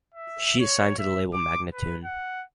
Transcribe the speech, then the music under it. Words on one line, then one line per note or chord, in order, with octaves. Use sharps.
She is signed to the label Magnatune.
E5
C#5
E5
D6
B4
F#5